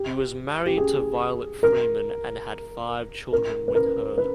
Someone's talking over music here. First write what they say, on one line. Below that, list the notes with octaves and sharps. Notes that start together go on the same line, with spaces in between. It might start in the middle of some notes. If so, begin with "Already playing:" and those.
He was married to Violet Freeman and had five children with her.
Already playing: G4
G4
G#4
A#4
A#4
B4
A#4
B4